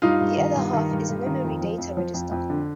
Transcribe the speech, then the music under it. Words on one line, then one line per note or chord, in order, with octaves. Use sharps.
The other half is a memory data register.
G2 D#4 F4
G2
D#3
G2
D#3
G2
G2
D#3
F2
F3
F2
F3
F2
F2
D3